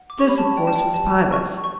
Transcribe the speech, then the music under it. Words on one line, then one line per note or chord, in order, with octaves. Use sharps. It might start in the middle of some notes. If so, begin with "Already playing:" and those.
This, of course, was Pybus.
Already playing: F#5
D6
G4 C#6
B5
A5
D5 G5
A5
G5
G4 A5
F#5 C#6
C#6